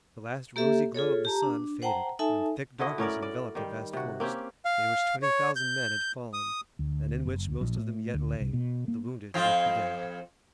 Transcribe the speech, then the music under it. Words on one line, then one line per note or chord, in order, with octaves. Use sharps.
The last rosy glow of the sun faded, and thick darkness enveloped the vast forest, in which twenty thousand men had fallen, and in which most of them yet lay, the wounded with the dead.
A#3 G4 A4 E5
F4 G#4 A4 C#5
G4 A5 A#5
D4
C5 F#5 G5 A5 A#5
D#4 A4 E5 G#5 A5
D3 E4 F#4 D#5
A2 C#4 A#4 D5
D5
D#3 G3
C3 F#4
A#3 C4 C#4 G4
F5
C#5
G6
D#6
D2
F#1
D2
A#1
A2
D2
C2
B2
A#3
F2 C4 F4